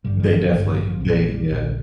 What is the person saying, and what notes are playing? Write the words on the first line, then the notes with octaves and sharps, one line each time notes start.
They definitely they Yeah.
A1 G2 D3 G3
G3
F3
A1 G2 D3 G3
F3
F3
A#1 A#2 C4
A#3
G3
A#1 A#2